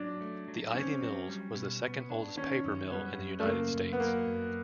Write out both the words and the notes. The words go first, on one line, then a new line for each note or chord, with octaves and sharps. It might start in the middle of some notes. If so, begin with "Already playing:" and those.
The Ivy Mills was the second oldest paper mill in the United States.
Already playing: F#3 D4
A3
F#3
C4 C#4
F#3
G3
B2
B3
D4
D#3 C#4
F#2
G3 B3
F#2
A3
C#3 A#3
F#2
B3
F#3 A#3
F#2